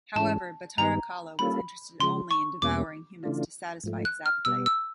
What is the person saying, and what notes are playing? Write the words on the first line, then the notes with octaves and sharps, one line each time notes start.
However, Batara Kala was interested only in devouring humans to satisfy his appetite.
G#2 E3 G#3 C#4 A5
G2 D#3 G3 B3 D#4 A#5
G3 A#3 C#4 F4 A4 B5
C#3 F3 G#3 C6
C#6
E2 B2 G3 A#3 C#4 D6
C#3 E3 A3 D4 F4
G#2 F3 A3
F#6
F6
B2 G3 B3 E6
E6